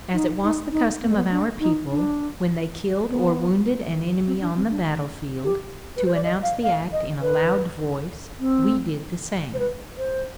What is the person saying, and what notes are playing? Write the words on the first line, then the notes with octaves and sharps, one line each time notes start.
As it was the custom of our people, when they killed or wounded an enemy on the battle-field, to announce the act in a loud voice, we did the same.
D#4
D#4
D#4
B3
G#3
B3
D4
D#4
D4
B3
C4
D4
C4
D4
G4
B4
C5
D5
D#5
F5
F5
D#5
B4
C4
C5
B4
C5